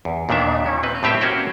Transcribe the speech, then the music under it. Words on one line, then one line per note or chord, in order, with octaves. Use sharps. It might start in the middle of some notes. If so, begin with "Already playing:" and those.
How about here?
E2
D#2 A#2 D#3 D4 E5
C4 B4
A2 C4 G4 E5 G5
A#3 C#4 F#4 C5 C#5 G5